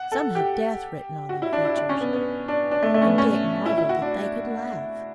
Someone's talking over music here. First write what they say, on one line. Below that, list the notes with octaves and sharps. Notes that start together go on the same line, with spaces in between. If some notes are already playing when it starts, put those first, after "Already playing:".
Some had death written on their features, and Dick marvelled that they could laugh.
Already playing: F#5
A4
G4
F#4
E4
D4
E4
D4
C#4
B3
B3
D4
D4
A3
A3
C#4
B3
C#4
E4
E4
F#4
D4